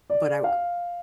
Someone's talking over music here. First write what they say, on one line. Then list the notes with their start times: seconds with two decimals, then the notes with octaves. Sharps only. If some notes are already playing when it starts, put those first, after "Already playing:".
but, I
0.10 D5
0.44 F5